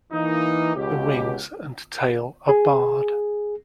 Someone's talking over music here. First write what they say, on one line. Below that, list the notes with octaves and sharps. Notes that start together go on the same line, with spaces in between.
The wings and tail are barred.
E3 A#3 D#4
C#2 B2 G4
G#4